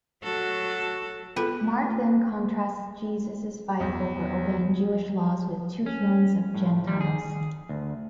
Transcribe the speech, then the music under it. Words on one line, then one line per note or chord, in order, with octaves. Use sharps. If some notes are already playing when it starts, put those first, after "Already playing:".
Mark then contrasts Jesus' fight over obeying Jewish law with two healings of Gentiles.
F#3 F#4 A4
B3 F4 A4 B4
E2
C#4
A2
G3
G#4
D2